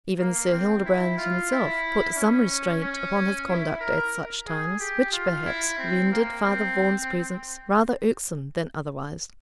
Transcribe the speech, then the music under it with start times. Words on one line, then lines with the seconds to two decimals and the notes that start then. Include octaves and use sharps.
Even Sir Hildebrand himself put some restraint upon his conduct at such times, which, perhaps, rendered Father Vaughan's presence rather irksome than otherwise.
0.19 A#3
0.52 C4
0.85 E4
1.17 F4
1.51 E4
2.17 C#4
2.82 C#4
3.49 E4
3.80 A#4
4.47 G#4
4.80 G4
5.12 F4
5.45 E4
5.78 C4
6.12 A#3
6.45 C4